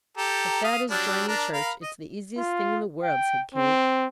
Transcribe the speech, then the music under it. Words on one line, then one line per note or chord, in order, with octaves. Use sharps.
"If that is joining church, it's the easiest thing in the world," said Kate.
G4 A4 A#5
F5 D#6
F#3 G3 D4
D4 A#4
A#4 F5 B5
D#5
F4
G5
C4